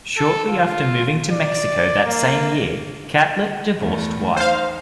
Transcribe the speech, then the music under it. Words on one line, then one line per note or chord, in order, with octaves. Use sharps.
Shortly after moving to Mexico that same year, Catlett divorced White.
A4
F4
D5
A#3
E2 A3
D#4 C5 F5